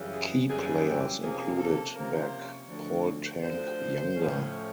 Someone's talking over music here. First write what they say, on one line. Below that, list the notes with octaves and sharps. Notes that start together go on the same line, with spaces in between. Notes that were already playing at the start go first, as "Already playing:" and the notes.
Key players included back Paul "Tank" Younger.
Already playing: F#2 C#3 E3 G3
G#4
F#2 C#3 E3 G3 G#4
G4
C3 F3 A#3 C#4 G#4
A4
C3 F3 A#3 C#4 A#4
C5
C#5
D2 D3 F3
D2 D3 F3 C5
A2 F3 A3 C#4